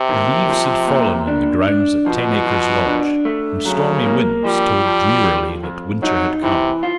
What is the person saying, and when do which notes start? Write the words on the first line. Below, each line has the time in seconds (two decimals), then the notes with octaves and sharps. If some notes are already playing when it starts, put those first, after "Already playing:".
THE leaves had fallen in the grounds at Ten Acres Lodge, and stormy winds told drearily that winter had come.
Already playing: C3
0.09 D#2
0.49 F3
0.88 A#2
1.28 D4
1.67 D4
2.06 B2 F3
2.46 F3
2.86 D4
3.25 A3
3.65 C#3 F#3
4.05 A#3
4.45 F3 G3
4.85 F3
5.24 F2
5.63 F2
6.02 F#3 D#4
6.43 C3 E3
6.83 F4